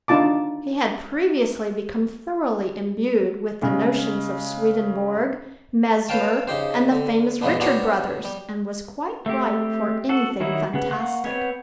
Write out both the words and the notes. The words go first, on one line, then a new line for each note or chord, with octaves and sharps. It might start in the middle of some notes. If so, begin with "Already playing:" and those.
He had previously become thoroughly imbued with the notions of Swedenborg, Mesmer, and the famous Richard Brothers, and was quite ripe for anything fantastic.
D4 D#4 F4 A5 D6
C#3 G#3
B4 C#5 F5 G5 A5
C#3 D#4 G4 C5
D3
G2 A#2 E3 G#3 B3 D4
B3 D4 F#4 G4 C5 C#5
G3
A3 C4 G4
F#4 A4
D#3 F#3 D#4 E4
C#3 B3
A#3 F#5 C#6 F#6
B3 C4 C#5